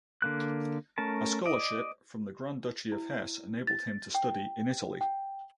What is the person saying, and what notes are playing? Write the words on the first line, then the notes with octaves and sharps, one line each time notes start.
A scholarship from the Grand Duchy of Hesse enabled him to study in Italy.
D3 A#3 F#6
A3 C#4 A#4 A5
D5 D#5
E4
A6
G5
G5